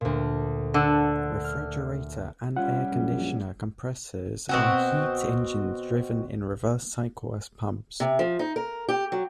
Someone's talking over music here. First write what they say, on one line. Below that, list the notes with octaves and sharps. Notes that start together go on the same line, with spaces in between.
Refrigerator and air conditioner compressors are heat engines driven in reverse cycle as pumps.
D2 A#2
D3 F#5 A5 E6
F6
G3 C#4 E4 F4 F#5
A#1 F#2
B2 C4 F#4
C3
F3
D#4
A#4
G4
F#3